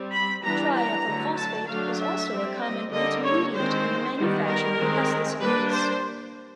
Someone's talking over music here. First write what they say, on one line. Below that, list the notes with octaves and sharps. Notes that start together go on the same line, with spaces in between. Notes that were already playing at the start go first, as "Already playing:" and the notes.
Triethyl phosphate is also a common intermediate in the manufacture of pesticides.
Already playing: G3 C4
B5
E3 G3 B3 D4 A#5
A#5
D3 F#3 A3
A5
F#3 A3 D4 F5
E5
G3 C4
D#5
D3 G3 A#3 D#5
C#5
D#3 G#3 C4 C5
D#3 G3 B3
A#4
D#3 G#3 C4
G3 A#3 D4 B4
C5